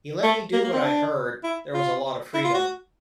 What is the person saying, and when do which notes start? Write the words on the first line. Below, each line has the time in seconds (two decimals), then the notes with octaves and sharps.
He let me do what I heard, there was a lot of freedom.
0.23 A3
0.53 A#3
0.64 A#3
0.73 C4
0.84 D4
1.44 E4
1.74 F4
2.34 E4
2.44 F4
2.54 F#4